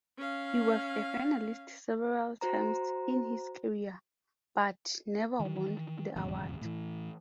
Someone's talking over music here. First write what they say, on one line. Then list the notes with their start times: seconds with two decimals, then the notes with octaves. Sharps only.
He was a finalist several times in his career, but never won the award.
0.18 C#4 F5
2.41 F#4 C5 A#5
5.40 D#3 E3
6.16 D#1 E2 G#2 C#3
6.61 A2 E3